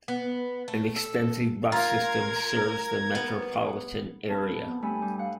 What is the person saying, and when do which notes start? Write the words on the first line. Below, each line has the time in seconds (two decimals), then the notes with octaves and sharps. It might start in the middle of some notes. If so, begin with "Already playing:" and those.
An extensive bus system serves the metropolitan area.
0.08 B3
0.68 A3
0.96 A4
1.72 F4 A#4 F5 A#5 G#6
3.15 B3
4.30 F2 A5 B5
4.65 B3
4.82 G2 A3 G#5 B5
5.02 G3
5.19 F5 F#5